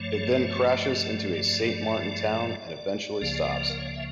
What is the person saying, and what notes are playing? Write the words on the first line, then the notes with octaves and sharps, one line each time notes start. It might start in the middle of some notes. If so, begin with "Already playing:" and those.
It then crashes into a Saint Martin town and eventually stops.
Already playing: G2 F3 A3 C#5
D5
C#2 C#3 F3 A#3
A#4
C#5
D5
E5